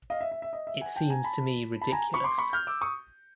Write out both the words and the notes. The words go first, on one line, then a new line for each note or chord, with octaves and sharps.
It seems to me ridiculous.
D#5 F5
E5
E5
E5
D#5
E5
F#5 G#5
G5 A5
G#5 A#5
A5 B5
A5 B5
G#5 A#5
B5 C#6
C6 D6
B5 C#6
F6 G6
D6 E6
C#6 D#6